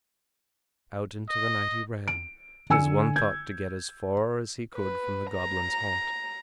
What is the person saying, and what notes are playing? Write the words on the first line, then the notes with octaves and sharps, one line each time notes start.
Out into the night he ran, his one thought to get as far as he could from the goblin's haunt.
D#5
D7
D3 G#5 E6 C#7
G6 G#6
B4
A#5